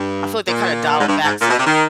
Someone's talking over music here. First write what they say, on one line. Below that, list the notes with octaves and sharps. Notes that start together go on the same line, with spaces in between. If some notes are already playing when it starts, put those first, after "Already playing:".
I feel like they kinda dialed back some.
Already playing: G2
A#2
G#2
G2
G#2
A#2
B2
C3
D#3